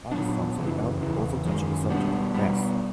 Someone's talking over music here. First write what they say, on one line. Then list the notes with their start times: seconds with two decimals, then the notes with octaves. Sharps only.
Other songs on the album also touch on the subject of death.
0.12 A#2 F#3 B3 D4
0.56 F#2 C#3 E3
1.01 E2 C#3 E3
1.45 F#2 D#3 G#3
1.89 B2 G3 B3 D4
2.34 B2 G3 B3